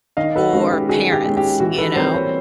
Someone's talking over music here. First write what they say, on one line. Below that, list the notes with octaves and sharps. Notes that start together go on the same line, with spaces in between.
or parents, you know,
D#3 D#5 F5
A4 B4
G#3 C#4 F#4
G4
D#3 F#4 G#4
G4
G#3 C#4
G4
E3 F#4
A4 B4
G3 C4 A#4 C5
B4 C#5